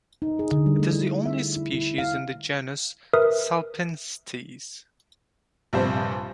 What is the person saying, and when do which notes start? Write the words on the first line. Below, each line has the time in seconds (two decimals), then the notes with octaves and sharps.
It is the only species in the genus "Salpinctes".
0.22 D#4
0.39 G#4
0.52 D3
0.66 G3
0.79 A3
0.93 E4
1.26 E5
1.56 E4
1.73 E4
1.98 F5
3.13 A#4 B4 E5 D#6
5.73 A#1 G2 C3 C5